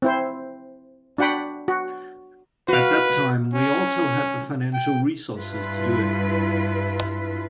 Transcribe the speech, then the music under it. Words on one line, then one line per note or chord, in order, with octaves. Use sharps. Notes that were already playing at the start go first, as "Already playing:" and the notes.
At that time we also had the financial resources to do it.
C4 E4 C5
D4 F#4 F#5 G5 B5
F#4
F#4 B4 F5
C#4
G5
G2 E4 F4 B4